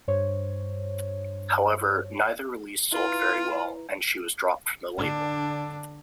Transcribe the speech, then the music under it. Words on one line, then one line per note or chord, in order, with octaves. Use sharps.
However, neither release sold very well, and she was dropped from the label.
G2 C5 C#5
E4 F4 B4 A#5
D3 D4